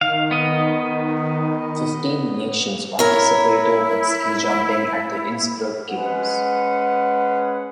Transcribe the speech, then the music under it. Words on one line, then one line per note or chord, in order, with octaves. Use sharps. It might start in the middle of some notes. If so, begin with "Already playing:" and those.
Fifteen nations participated in ski jumping at the Innsbruck Games.
D#3 F5
B3 D#5
E4 A#4 C#5
G#3 C#4 B4 F#5